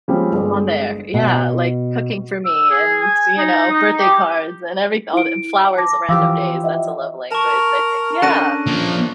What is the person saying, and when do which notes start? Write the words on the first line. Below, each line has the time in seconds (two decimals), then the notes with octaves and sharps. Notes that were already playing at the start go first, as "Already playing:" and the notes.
On there, yeah, like cooking for me and, you know, birthday cards and every all and flowers on random days. That's a love language, I think, yeah.
0.08 F3 G3 G#3 C4 C#4
0.32 G1 G#3 D5
1.14 B2
2.45 E6
2.70 G#4
3.01 G#5
3.38 D#4
3.73 D#4
3.99 G4
5.13 E4 D7
5.77 A5 D6 A#6
6.09 E3 F3 G4 F5 D6 E6
6.64 D#5 E5 F#5
7.32 A#4 A5 C#6
8.22 C#4 D4 A4 F#6 A#6 D#7
8.67 F3 A#3